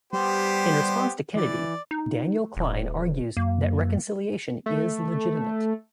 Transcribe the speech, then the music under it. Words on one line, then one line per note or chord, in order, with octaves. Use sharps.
In response to Kennedy, Daniel Klein argues that reconciliation is legitimate.
G3 B3 G4 C5
E3 D5
D#4
D#1
F#2 A#3
A3